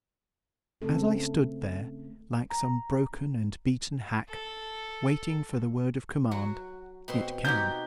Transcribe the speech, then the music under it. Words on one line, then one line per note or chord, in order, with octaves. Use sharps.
As I stood there, like some broken and beaten hack, waiting for the word of command, it came.
C#3 A3 C4 A4
A#5
A4
F#3 F#4
B2 C4 C6
D#4 F#4 G4 G6